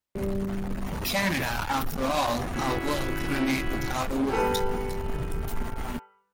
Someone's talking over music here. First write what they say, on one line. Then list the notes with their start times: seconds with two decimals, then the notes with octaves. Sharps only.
Canada, after all our work remained without a vote.
0.15 G3
2.54 C#3 E4 F#4
4.30 G3 A4 B4